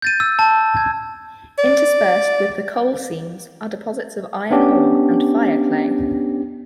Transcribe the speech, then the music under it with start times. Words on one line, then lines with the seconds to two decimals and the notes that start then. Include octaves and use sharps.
Interspersed with the coal seams are deposits of iron ore and fireclay.
0.02 G6 A6 D#7
0.20 E6
0.39 A5
0.77 G#6
1.59 D5
4.51 B3 C#4 D4 G4